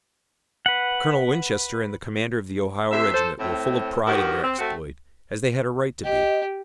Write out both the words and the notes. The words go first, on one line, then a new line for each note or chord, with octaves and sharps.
But Colonel Winchester and the commander of the Ohio regiment were full of pride in their exploit, as they had a right to be.
B4 F#5
D2 C3 E3 E5
A4 C5
A2 C4
G2 D#3 F3 F#4 G4 A#4
C4
A3 C4 F#4
G4 D#5